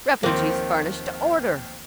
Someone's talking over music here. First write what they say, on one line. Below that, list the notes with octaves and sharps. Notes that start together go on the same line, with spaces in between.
Refuges furnished to order.
D#2 D#3 F3 A#3 C4 C5